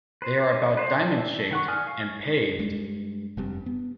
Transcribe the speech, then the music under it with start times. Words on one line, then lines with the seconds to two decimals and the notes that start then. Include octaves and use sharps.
They are about diamond-shaped, and paved.
0.22 B4 C5
0.77 B4 C5
0.93 D5 A5 E6
1.51 D#3 F#5 C#6
1.68 D5 G#5 D#6 F6
1.87 F5
2.59 G2 G#3
3.37 F1 G2 G3 C4
3.66 B3